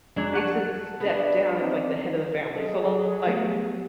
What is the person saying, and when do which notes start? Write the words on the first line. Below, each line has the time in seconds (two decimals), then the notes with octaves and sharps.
makes him step down as like the head of the family, so, like,
0.16 F2 F#3 G#3 D4 G#6
0.35 F#5 A5 C#6 F#6
1.00 B3 D4
1.62 C4 D#4 D5
2.56 F#3 G#4 A4 D#5
3.27 A3 B3 G4